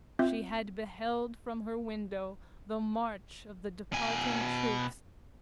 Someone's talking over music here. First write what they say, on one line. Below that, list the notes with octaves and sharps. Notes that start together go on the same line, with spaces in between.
She had beheld from her window the march of the departing troops.
C4 F4 E5 G6
B2 G#5